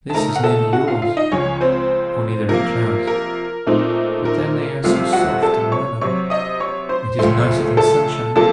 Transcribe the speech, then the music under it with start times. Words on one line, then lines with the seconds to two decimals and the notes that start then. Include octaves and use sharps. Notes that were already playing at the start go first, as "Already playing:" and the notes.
This is nearly yours, only there are clouds; but then they are so soft and mellow: it is nicer than sunshine.
0.10 A5
0.14 C#3 A3 D#4 A#4 A#5
0.36 F#5
0.44 A4 A5
0.73 F#4 F#5
0.88 F4 F5
1.02 F4 F5
1.17 D#4 D#5
1.32 C#2 C#3 F3 C#4 C#5
1.61 C4 C5
2.49 C3 F3 A#3 A#4
3.07 A#4
3.67 A#2 A3 C4 D#4
4.25 A#4
4.83 C2 C3 F3 A3 C4 F4 F5
5.13 F#4 F#5
5.42 A4 A5
5.72 C#5 C#6
6.01 C3 F#3 C4 C#5 C#6
6.30 D#5 D#6
6.60 C#5 C#6
6.89 C5 C6
7.19 C#2 C#3 F3 A3 C5 C6
7.77 A4 A5
8.36 C3 F3 A#3 F4 A4 A5